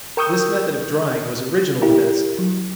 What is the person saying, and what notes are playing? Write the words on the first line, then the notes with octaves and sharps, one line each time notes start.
This method of drying was original with Edison.
A#4 G5 C#6 D#6 E6 G6
E4 G4 A#4
F#3